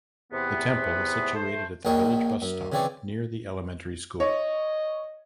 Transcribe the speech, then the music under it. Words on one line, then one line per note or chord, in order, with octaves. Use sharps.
The temple is situated at the village bus stop near the elementary school.
E2 C3 B3
A3 C5
A#1 A#2 A#4 C#5 D#5 G5
F#2
C#3 E3 C4 C#5 D5
C#5 D#5